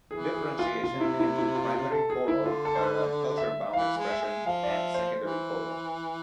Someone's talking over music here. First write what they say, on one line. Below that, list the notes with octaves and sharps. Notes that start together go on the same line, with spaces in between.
Differentiation into primary koro, a culture-bound expression, and secondary koro.
E3 G#4
G#4
F4
C3 F4
E4
E4
E4
F4
F4
A4
G#4
D3 E4
F4
A4
C5
B4
D5
E5
E3 F5
G#3
E5
G#3
F3 F5
D5
E5
C5
E3